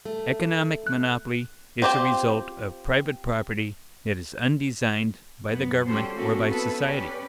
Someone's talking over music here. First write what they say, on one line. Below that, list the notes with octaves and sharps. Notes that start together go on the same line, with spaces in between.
Economic monopoly is a result of private property that is undesigned by the government or by society.
A3
F#6
C4 F4 G4 C5 G5
F#2 B3
G3 C#4 F#4 G4 A4 C5
A#3 C4 C#4 F#4 A4
B3 C#4 E4 A4 B4
C#4 G4 B4 D5